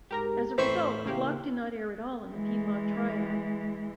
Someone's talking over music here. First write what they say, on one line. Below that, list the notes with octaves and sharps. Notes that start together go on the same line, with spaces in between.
As a result, the block did not air at all in the Piedmont Triad.
G#2 G4 A#4 A#5
A2 E3 C4 C5 C6 C#6 B6
C#3 A#3 G4
E3 G#3